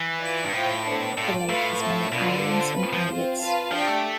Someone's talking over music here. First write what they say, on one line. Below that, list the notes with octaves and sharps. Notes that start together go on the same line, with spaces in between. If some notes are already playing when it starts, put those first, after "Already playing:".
The lake has many islands and islets.
Already playing: E3
F4 B4 D5
G2
A2 F4 C5 G5
B3 D4 A4 C5
A2 F4 A4 D5 G5
A2 F4 B4 F5
C4 F4 A4 E5 A5
B2 D4 F4 B4
D3
F4 A4 C5
C4 F4 B4
F3
C4 F4 C5
F4 B4 F5 A5
F3 D4 G4 D5 G5
A3